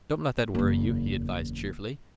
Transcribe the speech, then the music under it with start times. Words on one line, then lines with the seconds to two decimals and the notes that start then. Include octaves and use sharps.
"Don't let that worry you," he advised cheerfully.
0.55 F#1 E2